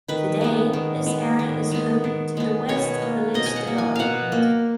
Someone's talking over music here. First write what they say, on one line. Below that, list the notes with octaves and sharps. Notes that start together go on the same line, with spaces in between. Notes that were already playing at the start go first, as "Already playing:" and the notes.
Today this area is home to the West Village development.
D#3 B4
G#3 B3
D#3
G#3 B3
D#3
G#3 B3
D#3
G#3 B3
B2 C#5
A#3
B2 D#5
G#5
F#5
A#3
G#5
B2 F5 F#5
A#3